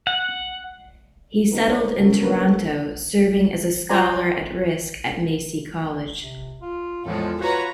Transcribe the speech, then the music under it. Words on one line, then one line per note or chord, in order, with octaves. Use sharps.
He settled in Toronto, serving as a Scholar at Risk at Massey College.
F#5
D3 B3 D#4 F#4 A#4 B4
D#4 A4 C5 C#5
C#3 F#4 A4 A#4
A#3 C#4 D4 F#4 A#4 B4
B4 C#5
A4
F4 C5 D5 G#5 A#5
C3
F4
E2 A2 F3 G#3 A4
F4 F#4 B4 C#5 A#5